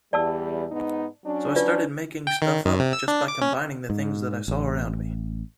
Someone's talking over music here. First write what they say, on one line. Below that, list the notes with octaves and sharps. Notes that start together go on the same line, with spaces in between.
So I started making stuff up just by combining the things that I saw around me.
E2 G3 D5 A5 E6
G#2 B3 D#4
F#3 C#4 D4
F4 B4 D5
G5
D#3
F#2
C3
E6
D4
D6
C#4
G#2
A1